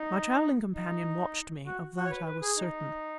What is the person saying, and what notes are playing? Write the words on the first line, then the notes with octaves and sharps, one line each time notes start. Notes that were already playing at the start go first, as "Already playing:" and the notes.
My travelling companion watched me; of that I was certain.
Already playing: D#4
D#4
F#4
F#4
C#5
B4
B4
G#4
D#4